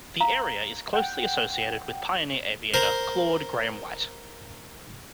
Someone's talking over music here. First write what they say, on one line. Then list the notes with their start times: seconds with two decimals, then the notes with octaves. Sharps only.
The area is closely associated with pioneer aviator Claude Grahame-White.
0.20 F5 A#5
0.94 F#5 G5
2.74 A#4 C5